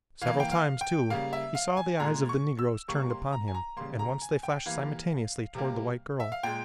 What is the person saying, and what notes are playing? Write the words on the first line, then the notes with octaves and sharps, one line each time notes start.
Several times, too, he saw the eyes of the Negroes turned upon him and once they flashed simultaneously toward the white girl.
E3 F5
A#3
G5
F5
G5
C#3 G3 A#3 F5
E5
F5
G#5
A#2 G#3 A#5
C#6
E6
C3 G3 A#3 C#6
C6
A#5
G#5
A#5
C#3 G3 A#3 C6
A#5
G#5
G5
E3 G3 A#3 F5
C3 G3 A#3
E5
F5
A#2 G#3 G5